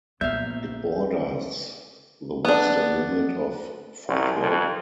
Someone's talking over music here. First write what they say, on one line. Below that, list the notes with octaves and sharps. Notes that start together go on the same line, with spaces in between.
It borders the western limit of Fonthill.
A#1 B3 E5 F5 G6
B3 D4
C2
F2